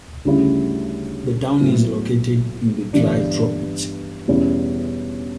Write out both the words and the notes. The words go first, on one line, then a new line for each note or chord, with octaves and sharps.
The town is located in the dry tropics.
D2 C#3 G3 C#4 E4
A2 F#3 B3 E4
G1 G2 E3 G3 D4
E2 B2 G3 C#4 E4